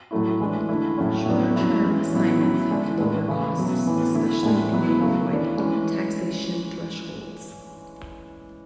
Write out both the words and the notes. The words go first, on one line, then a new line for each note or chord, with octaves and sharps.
Shorter term assignments have lower costs, especially when they avoid taxation thresholds.
A2 F#3 A3 E4
E3 G#3 D4
D3 A3 E4
A2 F#3 C#4
A2 F#3 B3 D4
F#3 C#4 E4
E3 G#3 C#4
A2 F#3 B3 E4
F#3 C#4 E4
D3 G#3 D4
A2 G#3 D4
C#3 E3 A3 E4
B2 F#3 B3
A2 E3 B3
D3 A3 E4
A2 G#3 D4
F#3 B3 E4
C#3 F#3 A3
E3 A3 D4
E3 G#3 C#4